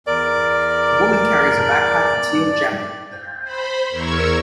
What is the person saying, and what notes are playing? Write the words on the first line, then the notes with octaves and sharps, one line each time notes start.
A woman carries a backpack and teal jacket.
E2 A#4 D5 D6
C5 B5
E2 A#4 C#6 E6 G#6